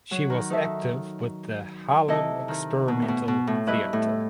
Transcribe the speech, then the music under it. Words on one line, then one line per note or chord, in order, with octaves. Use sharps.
She was active with the Harlem Experimental Theatre.
F#3
D#3
D#4 A4 E5
C3 E4 A4 D#5
D#3
B2
A2
B2
B2
A2
G2 E4 B4 D#5
A2